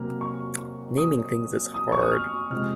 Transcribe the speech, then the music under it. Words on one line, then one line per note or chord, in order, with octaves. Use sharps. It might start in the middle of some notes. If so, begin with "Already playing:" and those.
Naming things is hard.
Already playing: C3 F#3 A#3 F6
C#6
C#6
D#6
D#6
C#6
D#6
F6
C3 F3 G#3 F6